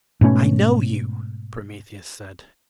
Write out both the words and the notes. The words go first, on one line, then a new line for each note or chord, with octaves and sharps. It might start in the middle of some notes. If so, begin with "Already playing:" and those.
"I know you," Prometheus said.
G#2 B2 A3 C#4